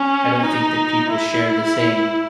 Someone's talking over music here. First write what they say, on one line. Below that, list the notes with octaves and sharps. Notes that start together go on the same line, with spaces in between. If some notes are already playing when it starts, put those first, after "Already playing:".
I don't think that people share the same
Already playing: C#4
D#4
E4